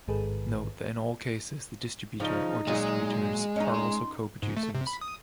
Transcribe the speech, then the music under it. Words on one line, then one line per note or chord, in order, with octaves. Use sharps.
Note that in all cases the distributor or distributors are also co-producers.
A1 G#2 D#3 G#4 A4 B4
C#3 F3 D#4
A#2 F#3 G#3
C#4 D#4 D#5
C6
G#2
A3
C3
B5
D#6